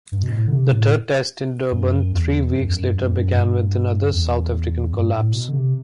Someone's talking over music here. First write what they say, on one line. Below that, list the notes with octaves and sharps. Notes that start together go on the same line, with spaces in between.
The Third Test in Durban three weeks later began with another South African collapse.
G2
B2
A2
D3
C3
A2
F#2
E2
F#2
E2
F#2
F#2
F#2
G2
F#2
E2
G2
A2
B2
D3
C3